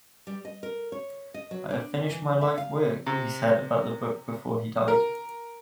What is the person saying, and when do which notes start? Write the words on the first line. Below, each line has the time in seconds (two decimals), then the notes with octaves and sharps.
"I have finished my life work", he said about the book before he died.
0.27 G3
0.45 D#5
0.63 A#4
0.92 C#5
1.34 D#5
1.51 F#3
1.71 D4
1.97 E3
2.10 E3
2.41 E5
2.58 F5
3.07 C3
4.88 A#4